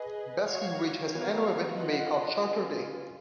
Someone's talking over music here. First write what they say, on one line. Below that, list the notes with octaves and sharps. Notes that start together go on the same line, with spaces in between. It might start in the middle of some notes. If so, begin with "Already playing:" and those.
Basking Ridge has an annual event in May called Charter Day.
Already playing: G#4 B4 D#5
F#4 C#5 F5
B3 F#4 A#4 C#5 F5
F4 B4 D#5 F#5
C#4 F4 B4